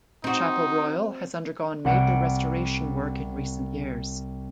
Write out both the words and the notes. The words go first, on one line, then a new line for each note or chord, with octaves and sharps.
The Chapel Royal has undergone major restoration work in recent years.
C4 D#4 F#4
C2 F#5 C#7 D7